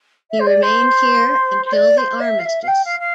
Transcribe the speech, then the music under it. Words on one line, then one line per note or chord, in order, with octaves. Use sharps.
He remained here until the Armistice.
E5
C5
D5
C5
C5
D5
C5
E5
F5
E5
F5
G5
F5
F5